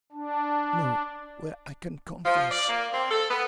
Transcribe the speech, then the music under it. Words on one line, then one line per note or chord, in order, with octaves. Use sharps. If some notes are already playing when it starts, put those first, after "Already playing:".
"No, where I can confess."
D4
F3
D5
A#3
C4
A4
B3